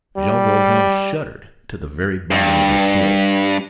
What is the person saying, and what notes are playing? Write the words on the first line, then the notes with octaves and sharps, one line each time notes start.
Jean Valjean shuddered to the very bottom of his soul.
G3
G2